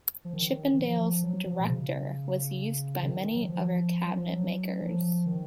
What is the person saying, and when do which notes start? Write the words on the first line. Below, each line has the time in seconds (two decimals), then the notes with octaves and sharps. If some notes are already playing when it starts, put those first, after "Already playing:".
Chippendale's "Director" was used by many other cabinet makers.
0.25 F3
0.33 D#3
0.74 D#3
0.79 F3
1.23 F#3
1.46 F3
1.60 B2
1.68 C#3
3.03 D#3
3.35 F#3
3.48 F3
4.06 F#3
4.19 F3
4.33 F#3
4.81 F3
5.26 D#3